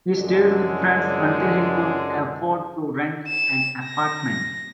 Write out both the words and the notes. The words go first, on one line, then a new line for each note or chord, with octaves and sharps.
He stayed with friends until he could afford to rent an apartment.
C#2 F#2 D3 G#3 G#4 D5
E7
A#6